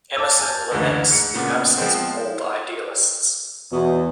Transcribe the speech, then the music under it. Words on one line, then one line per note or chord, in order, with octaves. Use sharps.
Emerson laments the absence of old idealists.
A5 D6 E6
G#5 A5 F6 G6
F#1 D2 G#2 D3 E3
G#2 C#7
A#2 C#3 B3
F3 G#3 B3 C4
E2 B2